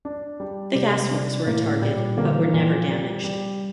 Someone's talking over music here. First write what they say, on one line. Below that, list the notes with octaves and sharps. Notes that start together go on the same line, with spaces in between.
The gas works were a target, but were never damaged.
D4
G3
C3 G3
D4
A2 A#3
A#2 G3
D3 A#3
E3
A#2 E3
F3
G3
G3